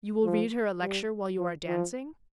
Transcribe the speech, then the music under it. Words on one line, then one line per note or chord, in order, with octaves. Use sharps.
"You will read her a lecture while you are dancing?"
F3
G3
F3
F3